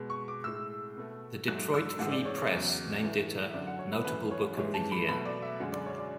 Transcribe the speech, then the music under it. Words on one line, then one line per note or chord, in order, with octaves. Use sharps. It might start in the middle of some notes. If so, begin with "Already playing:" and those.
The Detroit Free Press named it a "Notable Book of the Year".
Already playing: B2 G#3
C#6
D6
A2 G#3 E6
B2 A3
G#2 F#3 A3 F#6
E6
G#2 E3 G#3 F#5
D5
C#5
C#5
E2 C#3 F#3
A2 E3 A3
E5
F#2 D3 F#3 D5
F#5
C#5
B4
F#2 E3 A3 B4
C#5
G#2 E3 G#3 C#5
A5
B5
B2 F#3 A3 B5
D5
E5
F#2 D3 G#3 F#5
D5
C#5
D5